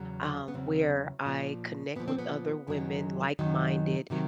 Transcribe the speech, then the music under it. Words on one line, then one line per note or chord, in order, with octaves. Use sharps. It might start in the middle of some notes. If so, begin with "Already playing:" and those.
um, where I connect with other women, like-minded,
Already playing: E2 C#3 F#3
B3
E2 C#3 F#3 C4
A#2 F3
A#2 F3 B3
C4
B3
F#2 D#3 F#3
F#2 D#3 F#3
C3 D#3 F#3